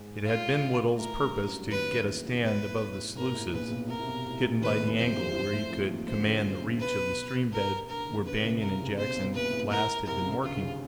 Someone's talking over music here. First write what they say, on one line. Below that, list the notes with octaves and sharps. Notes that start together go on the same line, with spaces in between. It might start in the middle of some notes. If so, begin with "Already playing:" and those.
It had been Woodhull's purpose to get a stand above the sluices, hidden by the angle, where he could command the reach of the stream bed where Banion and Jackson last had been working.
Already playing: G#2 G#3
F4
A2 A3 A#4
G2 G3
F#2 F#3
D#2 D#3 B4
E2 E3
D#2 D#3
C2 C3
B1 B2 B4
A2
G#2
A2
G#2 A#4
A#2
A2
B2
A#1 A#2 B4
B1 B2
C2 C3 A#4
C3
B1 B2
A2
A#1 A#2
D#2 D#3 B4
D#3
E2 E3
F2 F3 C5
G2 G3
E3
F2 F3
A2 A3
F2 F3
D#2 D#3
C#2 C#3 C5
D3
C#2 C#3
B1 B2
B4
B1 B2 A#4
D2 D3 A#4
D#2 D#3
C#2 C#3 B4
C#3
C2 C3
B1 B2 A#4
C#2 C#3
B1 B2 C5
B1 B2
A#1 A#2 B4
A2
A2 A#4
C2 C3 A#4
C3
C#2 C#3
D2 D3 F4
C#2 C#3